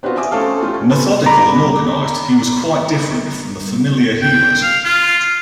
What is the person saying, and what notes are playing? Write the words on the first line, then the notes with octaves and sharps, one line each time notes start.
Methodical and organized, he was quite different from the familiar healers.
B3 C4 D4 F4 F#4
E5 G#5 D6 D#6
A3 C4 C#4 A4 F5
G3 A3 F4
C#4
C#4 F4 A4 B4
A#5 B5 D6
G5
F5
F4